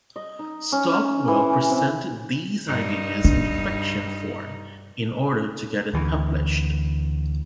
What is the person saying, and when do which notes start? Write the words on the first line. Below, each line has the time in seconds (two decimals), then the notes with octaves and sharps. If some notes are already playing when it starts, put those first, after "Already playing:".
Stockwell presented these ideas in fiction form in order to get it published.
0.16 D#5
0.39 D#4
0.72 C#4
1.28 E3
1.70 C3
2.68 G2 D#4
3.24 D4
5.94 D2 E3